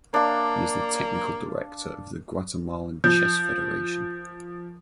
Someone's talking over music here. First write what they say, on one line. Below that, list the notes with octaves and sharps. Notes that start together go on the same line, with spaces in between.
He is the Technical Director of the Guatemalan Chess Federation.
A#3 D4 F5
F3 G6